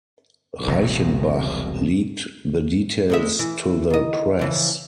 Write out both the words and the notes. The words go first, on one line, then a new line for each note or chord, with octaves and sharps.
Reichenbach leaked the details to the press.
E1 C2 B2
D2 G#3 E5
E3
D#3 D#5
C#3 E3 F3